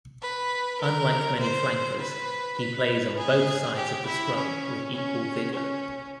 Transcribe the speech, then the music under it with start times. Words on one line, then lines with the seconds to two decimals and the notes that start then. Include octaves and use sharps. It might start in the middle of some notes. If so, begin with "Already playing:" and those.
Unlike many flankers, he plays on both sides of the scrum with equal vigor.
0.22 B4
0.81 A#4
1.40 C5
1.99 B4
2.58 B4
3.17 G#4
3.76 G4
4.06 E4
4.35 C#4
4.94 C#4
5.53 C#4